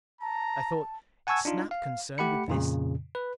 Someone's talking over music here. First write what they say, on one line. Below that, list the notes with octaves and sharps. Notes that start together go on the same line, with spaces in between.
I thought, "Is Snap concerned with this?"
A5 A#5
F#5 G#5 A5 C#6 E6 G#6
D4 D#4 F4
F5
A3 G4 F#5 B5 C#7
F2 A#2 C#3
B4